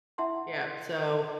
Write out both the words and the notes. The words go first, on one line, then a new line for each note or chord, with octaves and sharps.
Yep, so,
E4 E5 F#5 A5 C6